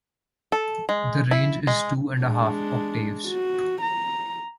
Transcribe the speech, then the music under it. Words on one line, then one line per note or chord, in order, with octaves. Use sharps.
The range is two and a half octaves.
A4
G#3
E4
G#3
G#3 D4
F#4
A#5